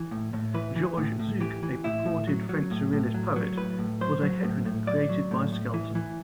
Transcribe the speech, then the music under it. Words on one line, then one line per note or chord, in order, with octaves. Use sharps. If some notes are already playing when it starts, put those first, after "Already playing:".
Georges Zuk, a purported French surrealist poet, was a heteronym created by Skelton.
Already playing: E3
A2
A2
E3 B4
E3
A2
A2
E3 G4
E3
A2 E4
A2
F#3
F#3
A2
A2
F#3
F#3
A2 B4
A2
F#3 C5
F#3
A2
A2
F#3 D5
F#3
A2
A2
E3
E3